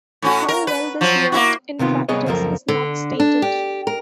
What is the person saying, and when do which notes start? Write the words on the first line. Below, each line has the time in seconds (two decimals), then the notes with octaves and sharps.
How well this worked in practice is not stated.
0.22 A2 C#4 F#4
0.48 A#4
0.67 B4
1.01 F3 F#3
1.32 A#3 E4 F#4
1.79 C3 D#3 B3 F4
2.09 C2 B3 G#4 B4 C#5 D#5
2.26 C#2 F#2 F3 A#3 A4 A#4
2.68 D3
3.20 D4
3.42 G4
3.87 A#4